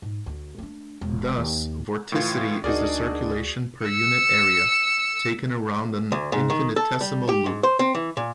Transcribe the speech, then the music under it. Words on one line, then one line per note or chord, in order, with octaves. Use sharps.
Thus vorticity is the circulation per unit area, taken around an infinitesimal loop.
G#2
D2
A3 D4
E1
D#2
A2 E3 F4
D2 D4 D#4 F#4 G#4 A#4 D5
E6 C#7
D2
G#2
D#3
A4
G3
G4
G#2
C5
C4
E3
A#2